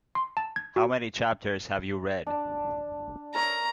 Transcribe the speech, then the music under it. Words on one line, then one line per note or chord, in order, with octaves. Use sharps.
How many chapters have you read?
C6
A5
G#6
F#4
D4
A#4 C#5 E5 A#5